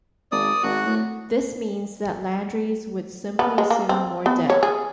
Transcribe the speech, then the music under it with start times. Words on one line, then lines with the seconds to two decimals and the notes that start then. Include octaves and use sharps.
This means that Landry's would simply assume more debt.
0.32 G#1 D5 D#6
0.63 G#1 F#4
0.86 A2
3.39 B3
3.58 G#3
3.70 A#3
3.89 C4
4.26 B3
4.50 C#5
4.63 G#4